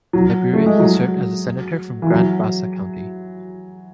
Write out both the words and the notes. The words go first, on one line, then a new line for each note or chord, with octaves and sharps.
In Liberia, he served as a senator from Grand Bassa County.
F#3
A3
G#3
F#3
E3
F#3